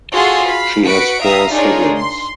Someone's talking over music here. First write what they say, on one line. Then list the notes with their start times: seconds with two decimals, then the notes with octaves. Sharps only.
She has four siblings.
0.14 F4 F#4 G#4 A4 C6
0.47 F5 B5
0.85 F#4 B4 B6 C#7 D7
1.22 E5 F5 A#5 D#6
1.52 D4 D#4 F4 G#4 A#4 C#5
1.97 C6